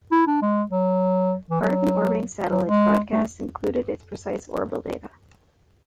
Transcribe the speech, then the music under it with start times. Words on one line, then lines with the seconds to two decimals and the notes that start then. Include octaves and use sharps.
Part of an orbiting satellite's broadcast included its precise orbital data.
0.12 E4
0.27 D4
0.42 G#3
0.71 F#3
1.50 E3
1.61 F#3
2.51 F#3
2.67 G#3
3.12 A3